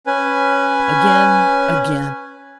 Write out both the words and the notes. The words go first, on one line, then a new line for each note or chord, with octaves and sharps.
Again! again!
C#4 B4 G#5